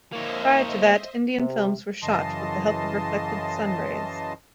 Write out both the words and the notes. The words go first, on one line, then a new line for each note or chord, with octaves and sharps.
Prior to that Indian films were shot with the help of reflected sunrays.
A#3 C5 C#5 D#5 E5
C3
F#2 C#3 E3 D#5 A5 C6